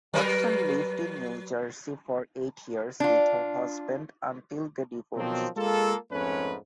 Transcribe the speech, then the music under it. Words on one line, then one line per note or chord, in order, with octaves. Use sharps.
Watson lived in New Jersey for eight years with her husband until they divorced.
F#3 A#4 B4
D4 F4
B2 D#3 F3 F#3 C4
G#3 A#3 F4 A4
F2 G#2 A3 C#4 B4